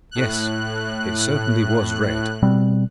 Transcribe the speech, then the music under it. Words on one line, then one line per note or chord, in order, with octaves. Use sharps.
Yes! it certainly was red!
A2 F#6
B2 G3 C4